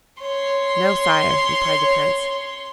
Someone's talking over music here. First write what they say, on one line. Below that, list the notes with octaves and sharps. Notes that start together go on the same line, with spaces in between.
'No, sire,' replied the Prince.
C#5 C6